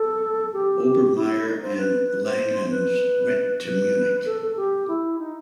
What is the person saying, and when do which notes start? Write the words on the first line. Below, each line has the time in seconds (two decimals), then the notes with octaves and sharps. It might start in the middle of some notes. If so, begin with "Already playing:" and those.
Obermaier and Langhans went to Munich.
Already playing: A4
0.53 G4
0.85 G4
1.16 E4
1.47 D#4
1.62 C5
1.78 B4
2.09 B4
2.24 C5
2.70 B4
3.64 B4
4.25 A4
4.41 A4
4.57 G4
4.88 E4
5.19 D#4